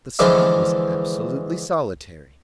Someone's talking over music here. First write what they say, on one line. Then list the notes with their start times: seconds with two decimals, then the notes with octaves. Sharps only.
The spot was absolutely solitary.
0.19 D3 E3 F3 G#3 C#4 D4